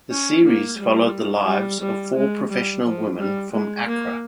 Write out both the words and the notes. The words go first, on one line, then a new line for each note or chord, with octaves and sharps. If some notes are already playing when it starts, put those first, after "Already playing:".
The series followed the lives of four professional women from Accra.
C#4
A#3
G3
G3
G3
G#3
G3
F3
G3
G#3
A#3